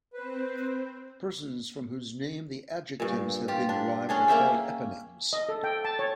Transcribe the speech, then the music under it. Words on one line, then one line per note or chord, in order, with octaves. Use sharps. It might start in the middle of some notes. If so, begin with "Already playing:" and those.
Persons from whose name the adjectives have been derived are called eponyms.
C4 B4 C5
G2 A#2
F4 G4
D4
C#4 D4 G#4
A#3 C#4 E5 G5
D#5
A4
G5
A5
C#5